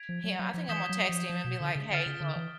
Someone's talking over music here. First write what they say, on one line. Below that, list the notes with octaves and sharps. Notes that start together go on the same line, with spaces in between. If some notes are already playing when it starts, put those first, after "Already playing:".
him I think I'm gonna text him and be like, "Hey, look"
Already playing: G#6 B6 D7 F7
F3
F#3
F#3
F3
E3 D#6 G6 B6 E7 G7
F#3
F3
F3
B2
D3
C#3
D3 F6 A6 D7 G7
C#3
D3
E3